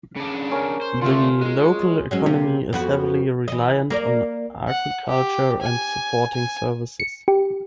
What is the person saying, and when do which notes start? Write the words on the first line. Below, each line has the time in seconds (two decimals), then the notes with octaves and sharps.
The local economy is heavily reliant on agriculture and supporting services.
0.16 C#3 D4
0.51 C#4 A#4
0.82 C5
1.01 D3 A3 F4
1.42 G#3
2.11 F#3 G#3 C#4
2.26 C3 A#3
2.73 F2 B3 F#4
3.48 E3 D#5
3.90 A#3 A#4 D5
4.69 F#5
5.08 G4
5.62 G#5
6.34 G#5
7.00 C#7
7.28 G4